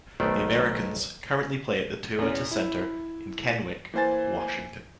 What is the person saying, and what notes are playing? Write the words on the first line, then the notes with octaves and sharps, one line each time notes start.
The Americans currently play at the Toyota Center in Kennewick, Washington.
B1 D#3 A3 B3 C5 D5
E2 C#4
E4
E3 A#3 C5 G#5 A6